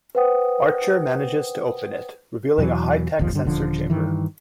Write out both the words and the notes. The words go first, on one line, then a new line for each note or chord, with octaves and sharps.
Archer manages to open it, revealing a high-tech sensor chamber.
B4 C5 F#5 G5 D#6
E2 B2 E3 F#3
D1 G1 D#2 F3
G2 D3
D#1 D3 F3
G2 D#3 E3